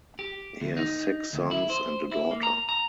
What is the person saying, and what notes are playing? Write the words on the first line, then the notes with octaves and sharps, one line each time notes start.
He has six sons and a daughter.
G4
D2
D#4
D2
E4
C5
E4
A#3
A#5
A#5